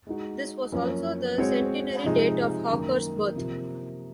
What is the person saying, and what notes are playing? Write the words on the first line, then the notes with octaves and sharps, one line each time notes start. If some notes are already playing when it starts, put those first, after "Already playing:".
This was also the centenary date of Hawker's birth.
G#3 D#4 F#4
F#2 F3 A#3 C#4
G#3 C4 F#4 C#5
C3 F3 G#3 D#4
F#2 D#3 A#3
C3 F3 A#3